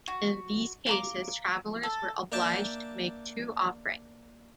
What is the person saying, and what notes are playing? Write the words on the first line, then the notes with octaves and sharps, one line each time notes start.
In these cases, travelers were obliged to make two offerings.
F#4
F5 A#5 D6
A4
A#3 D4 E5 G5 A5